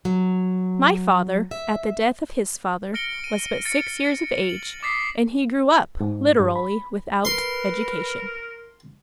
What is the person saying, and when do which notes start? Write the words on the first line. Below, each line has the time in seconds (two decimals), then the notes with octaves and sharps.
"My father, at the death of his father, was but six years of age; and he grew up, literally without education."
0.05 F#3
1.51 E5
2.94 F6 A#6 C#7 D7 G7
3.24 D#7
3.65 A6 C#7 D7
4.49 F#7
4.83 D6 D#6 A6 B6 C7
6.00 G#2
6.40 G2
6.56 B5
7.25 A#4 B4 C6